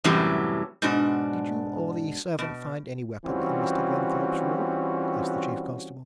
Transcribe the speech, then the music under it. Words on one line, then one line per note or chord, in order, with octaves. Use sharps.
"Did you or the servant find any weapon in Mr. Glenthorpe's room?" asked the chief constable.
F#2 A2 C3 E3 F#3 G3
G#2 B2 D4 F#4
B2
E3 G3 C4 C#4 F4 F#4